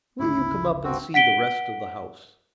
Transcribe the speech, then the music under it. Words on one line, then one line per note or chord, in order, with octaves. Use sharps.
"Will you come up and see the rest of the house?"
G#1 D2 C#3 E4
G2 C4 F#4
F#5 B6 D7 G7